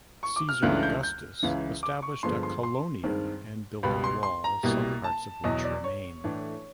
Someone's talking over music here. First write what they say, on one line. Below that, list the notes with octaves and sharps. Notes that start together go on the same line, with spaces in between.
Caesar Augustus established a "colonia", and built a wall, some parts of which remain.
C#6
D6
F6
C#2 C#3 E3 A3 D4 F#6
G6
G6
C#2 C#3 E3
D6
C#6
G2 D3 F3 G#3 B3 C6
C6
C6
G2 D#3 G#3 C4
C#2 B2 G3 B3 B5
C6
C6
A#5
C2 B2 G3 A#3
A5
E2 B2 F#3 D#5
D5
C#5
A2 E3 A3 D4